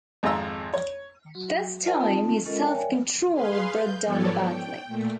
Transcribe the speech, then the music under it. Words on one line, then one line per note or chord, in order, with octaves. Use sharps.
This time his self-control broke down badly.
G#1 F2 G#3 D#5 A#5 E6
C#5
F#3 F#4
F4 A#4 C5 D#5 G5 A5
C4 D#4 F4 A5
G#3 C#4 F4 A4 A#4 D#5
A#4 C#5 D5 E5 G5 G#5
G#4 B4 F5 C6
G6
G#2 F3 B3 A4 C#5 D5
G5
A#2 A3